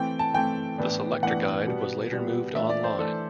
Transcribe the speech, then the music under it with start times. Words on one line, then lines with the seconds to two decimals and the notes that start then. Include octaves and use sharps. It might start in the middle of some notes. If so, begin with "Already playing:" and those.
The selector guide was later moved online.
Already playing: E3 A3 C4 G5
0.19 A5
0.34 E3 A3 C4 G5
0.78 A2 E3 B3 D4
1.23 A2 E3 B3 D4 F#5
1.67 B2 G3 B3
2.11 B2 G3 B3
2.54 E3 A3 D4 E5
2.69 D5
2.84 C5
2.98 E3 A3 D4 A4